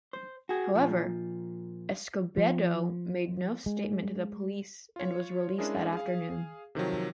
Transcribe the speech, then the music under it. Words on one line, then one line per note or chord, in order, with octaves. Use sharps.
However, Escobedo made no statement to the police and was released that afternoon.
C5
F#4 G#4
A#2 F3
F3
G#3
F4 C#5
G#3 C#4 D4 E4 G#4 A#4
G#4 F5
C3 D#3 F3 F#3